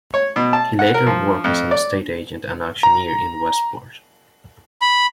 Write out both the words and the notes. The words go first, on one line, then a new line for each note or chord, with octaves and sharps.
He later worked as an estate agent and auctioneer in Westport.
C#5
B2
A5
F#5
A#4
F3
F2
D5
A#5
B5